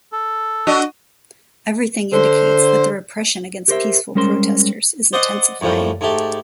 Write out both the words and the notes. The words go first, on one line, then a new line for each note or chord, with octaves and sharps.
Everything indicates that the repression against peaceful protesters is intensifying.
A4
D4 F#4 D#5
D3 C5
G4 A#4 C5 E5
G3 G#3 C#4 A#4 C5 C6
C5 D5 D#5 F#5 C6
F#2 A2 F3 G3
G#2 A3 G4